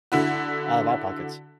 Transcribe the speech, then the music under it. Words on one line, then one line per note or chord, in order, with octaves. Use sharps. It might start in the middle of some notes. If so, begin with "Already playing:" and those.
out of our pockets.
D3 E4 F#4